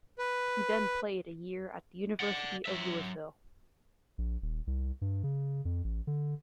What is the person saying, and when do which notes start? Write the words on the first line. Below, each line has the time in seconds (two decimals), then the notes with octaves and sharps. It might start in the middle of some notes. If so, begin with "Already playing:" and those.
He then played a year at the University of Louisville.
0.19 B4
2.20 D5 F#5
2.66 F#3 E5
4.18 A#1
4.42 D#1
4.67 C2
5.01 G2
5.24 C#3
5.65 F2
5.84 A1
6.07 D3